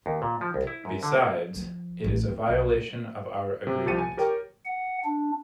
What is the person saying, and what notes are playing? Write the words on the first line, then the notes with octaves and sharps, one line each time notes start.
Besides, it is a violation of our agreement.
D#2
A#2
F3
C2
E4
F#2
D3
A#3
F3
A1
C4
B1
C3
C2 F3 G4 A6 C#7 D#7
G#5
G4 A#4 C#5 G5
F#5
D4